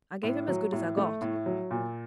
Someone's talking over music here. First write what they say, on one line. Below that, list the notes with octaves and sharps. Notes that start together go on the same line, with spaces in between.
I gave him as good as I got.
A2
F#3
A2
A3
A2
F#3
A#2